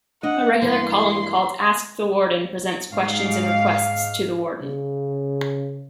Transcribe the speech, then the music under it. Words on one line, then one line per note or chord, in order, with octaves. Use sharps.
A regular column called "Ask the Warden" presents questions and requests to the warden.
D4 D#5 F#5
G2 E3 A#3 C6
G#2 F5
C#3